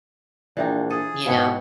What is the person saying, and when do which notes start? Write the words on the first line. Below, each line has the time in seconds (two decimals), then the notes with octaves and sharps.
You know?
0.57 A#1 E3 D4 D#4 D5 E5 G5
0.90 G#4 A4 D#7
1.26 G#2 B2 E4 C#5 F5 G5 C#7